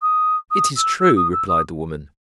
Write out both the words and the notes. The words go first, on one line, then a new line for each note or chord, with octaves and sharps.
"It is true," replied the woman.
D#6
D#6
E6
E6
D#6
E6
D#6